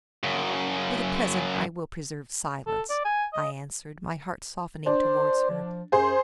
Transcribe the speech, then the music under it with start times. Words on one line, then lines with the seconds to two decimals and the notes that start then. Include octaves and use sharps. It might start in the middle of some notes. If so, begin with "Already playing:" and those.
"For the present I will preserve silence," I answered, my heart softening towards her.
0.24 F#2 C#3
2.67 A4
2.90 D5
3.05 G#5
3.33 D#5
4.86 D4 C5
5.51 F3
5.92 F#2 G#4 C5